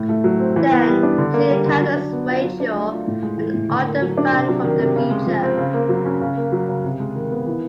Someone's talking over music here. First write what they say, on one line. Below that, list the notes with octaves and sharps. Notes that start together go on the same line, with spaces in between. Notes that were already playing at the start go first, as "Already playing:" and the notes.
Then she encounters Rachael, an ardent fan from the future.
Already playing: A2
A3
F#3
C4
E3
B3
G3
D4
D3
A#3
G3
D3
F#3
D4
B3
F4
F#3
D4
A3
F4
A2
G#3
E3
A2
D3
A#3
F#3
D4
C3
F#3
D#3
C3
C#3
G#3
F3
C4
C#3
A#3
F#3
C#4
C#3
A#3
F#3
C#3
C3
G#3
D#3
B3
E3